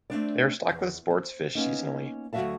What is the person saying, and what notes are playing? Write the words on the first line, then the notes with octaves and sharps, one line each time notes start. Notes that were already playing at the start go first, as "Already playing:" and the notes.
They are stocked with sports fish seasonally.
A3 C4 D4 D5
E2
C5
A#3 B3 C#4 D#4
D2 F#3 F#4 E5 F5 A5